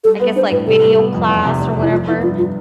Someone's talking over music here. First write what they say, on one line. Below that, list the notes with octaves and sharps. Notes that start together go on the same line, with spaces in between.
I guess, like, video class or whatever,
G3 A4
B3 B4
D4 C5
A2 B4
C3 A4
G3
B3
F2
E2
C3
F1
F1
E4
F3 F4
B3 E4
G2 F4
F4